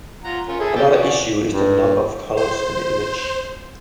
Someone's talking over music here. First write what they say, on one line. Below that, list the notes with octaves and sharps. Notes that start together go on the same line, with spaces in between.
Another issue is the number of colors in the image.
F4 F#5 A#5
C#4 F4 A#4
E4 G#4 A4
D4 G4 A4
C#4 F#4 D5
G2
C5